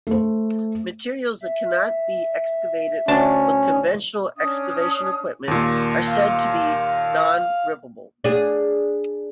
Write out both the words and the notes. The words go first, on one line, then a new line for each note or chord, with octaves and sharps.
Materials that cannot be excavated with conventional excavation equipment are said to be non-rippable.
A3 C5
E5
D2 C#4 D4 A5
C#4 D4 D#6
D#2 A#2
F5
D4 G#4